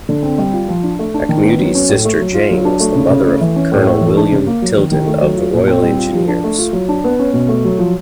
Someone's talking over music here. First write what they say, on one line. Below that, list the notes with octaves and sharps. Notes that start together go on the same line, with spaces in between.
Auchmuty's sister Jane was the mother of Colonel William Tylden of the Royal Engineers.
D3
C4
G3
F4
F3
D4
A3
D4
D#3
B3
F#3
C#4
A2
A3
F#3
F4
F#3
D4
A3
C#3
C#3
A3
E3
C#4
A2
A3
E3
D4
C#3
A#3
F#3
D#3
D#3
A3
F#3
F4
A#2
C4
G3
F4
F3
D4
A3
F4
F#3
D4
B3
C#4
B2
A3
F#3
F3